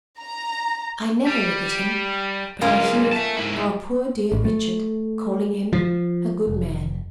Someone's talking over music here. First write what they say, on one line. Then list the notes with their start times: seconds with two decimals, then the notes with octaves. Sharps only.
I never look at him but I hear our poor dear Richard calling him a good man.
0.21 A#5
1.27 G3
2.61 B1 G#3 C#4 F4 A#4
3.13 E5 A5
3.38 G#2 E4
4.32 A1
4.45 A3
5.73 F3
6.47 F1